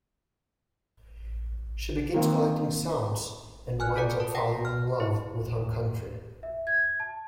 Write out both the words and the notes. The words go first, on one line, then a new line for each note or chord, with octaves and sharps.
She begins collecting sounds and winds up falling in love with her country.
D#3 A#3 C4
G#5 F6 F#6
F4 A4 D5 C#7
A#4 A5
F#5 G5 A#6
F6
E4
E5
G#6
A5